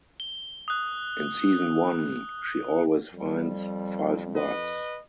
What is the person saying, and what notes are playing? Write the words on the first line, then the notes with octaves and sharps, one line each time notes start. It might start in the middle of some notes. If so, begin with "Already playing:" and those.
In season one, she always finds "five bucks".
G7
D#6 F#6
F2 G3
B4 D#5